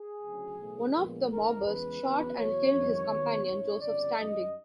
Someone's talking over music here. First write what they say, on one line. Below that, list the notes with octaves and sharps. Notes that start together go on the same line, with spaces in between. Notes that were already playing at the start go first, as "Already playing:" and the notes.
One of the mobbers shot and killed his companion, Joseph Standing.
Already playing: G#4
D2 C#3 F#3
B1 A2 E3 A3
A#1 A#2 F3 G#3 B3 A#4
G#1 G#2 D#3 A#4
E2 C#3 E3 G#3 B4
E2 C#3 F#3 B3
E2 B2 F#3 C#5
G1 F2 C3 D#3 G3
D#2 D#3 F#3 B3
G#1 F#2 D#3 C#5
G1 F2 C#3 D5
F#2 D#3 G3 D#5